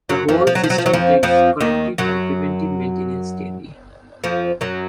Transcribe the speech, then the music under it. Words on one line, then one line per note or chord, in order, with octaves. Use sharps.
The whole system takes corrective and preventive maintenance daily.
F#2 F#3
F2 F3
F3
F#3
F3
F#3
F3
F#3
F2 F3
F2 F3
D#2 D#3
F#2 F#3
F2 F3
F#2 F#3